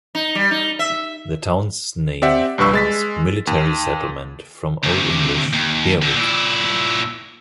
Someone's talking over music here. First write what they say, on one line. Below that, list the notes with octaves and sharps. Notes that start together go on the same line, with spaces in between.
The town's name means "military settlement," from Old English "here-wic".
D#4
G3
D#4
E5
C4 G4 D5 E5 F#5
A#1 G2 G3 B4 C#6 E6
G#3 A6 B6
D#2
D2 C3
D#2
D3 C4
A#2 E4